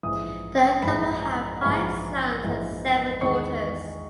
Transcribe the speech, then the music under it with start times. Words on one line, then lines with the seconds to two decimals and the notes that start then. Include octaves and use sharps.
The couple had five sons and seven daughters.
0.03 A#1 G#2 E3 G#3 D#6
0.83 A#1 G#2 E3 G#3 B5
1.23 A#5
1.62 A#1 G#2 E3 G#3 B5
2.42 A#1 G#2 E3 G#3
3.21 E2 D#3 G#3 C#6